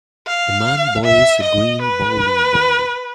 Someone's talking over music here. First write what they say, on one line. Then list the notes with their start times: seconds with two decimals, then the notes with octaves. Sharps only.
A man bowls a green bowling ball.
0.27 F5
1.04 E5
1.43 D#5
1.81 B4